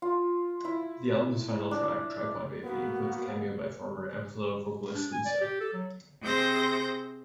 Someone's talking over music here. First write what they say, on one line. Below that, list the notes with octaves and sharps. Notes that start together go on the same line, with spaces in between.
The album's final track, "Tripod Baby", included a cameo by former M-Flo vocalist Lisa.
F4
E4
D4
A#3 B3 F#4
D4
G#5
D5
G4
A4
F#3
C3 C4 G#4 C5 G6 A#6